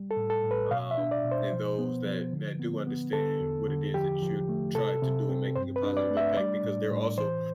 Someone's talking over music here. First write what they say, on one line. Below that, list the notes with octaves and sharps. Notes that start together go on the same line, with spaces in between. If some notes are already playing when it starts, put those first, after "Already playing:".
Um, and those that that do understand what it is that you're trying to do in making a positive impact, because they're also
Already playing: G3
A4
A2
A4
A2
B4
B2 F5
E5
D4
D5
B2
C5
F3
B3
F3
D3
B3
B3
D3 A4
E2
D3
F3 G4
F3
A3
C3 A4
C3
C4
G2 C5
B4
D4
D5
A3
E5
G3 D5
A2
A2
E3 C5